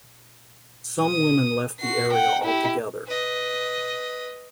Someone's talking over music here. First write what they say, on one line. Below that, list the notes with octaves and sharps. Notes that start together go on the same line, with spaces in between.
Some women left the area altogether.
D#6
F#4 C7
F#5 G5
E4 G4
B4 D#5